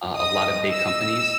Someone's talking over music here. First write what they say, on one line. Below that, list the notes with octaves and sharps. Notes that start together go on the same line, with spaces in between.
uh, a lotta big companies,
D#5 D#6
E6